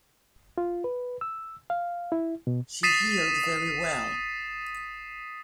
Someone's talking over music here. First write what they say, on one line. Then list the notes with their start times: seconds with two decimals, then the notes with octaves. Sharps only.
She healed very well.
0.58 F4
0.84 B4
1.21 E6
1.70 F5
2.12 E4
2.47 B2
2.83 D#6 A6 B6 C7 D#7 E7